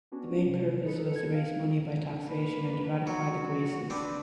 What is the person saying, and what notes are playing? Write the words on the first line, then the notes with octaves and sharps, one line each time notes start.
The main purpose was to raise money by taxation and to ratify the Graces.
B3 C#4 D4 F#4
C3
D#4 A4 B4 C#7
A4 G#6
F5
A#3 B4
F#3 F#4
C4 D4 B4